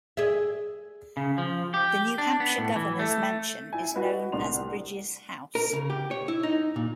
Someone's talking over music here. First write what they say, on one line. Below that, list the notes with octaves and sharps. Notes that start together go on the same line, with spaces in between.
The New Hampshire Governor's Mansion is known as "Bridges House".
G#4 E5
C#3
F3
G4
D4
B3
A2
E3
A3
E4 E5 G#5
F#4 B4 D#5
C2 A2 D4 F#5 C6 F7
A#4
C#3
G4
C#5
E4
D#4
A#2